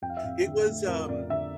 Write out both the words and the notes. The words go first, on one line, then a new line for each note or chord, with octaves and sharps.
It was, um
F2 G5
F5
E5
F2 F5
D3
A3
F2 A#4
F2 D5
D3 E5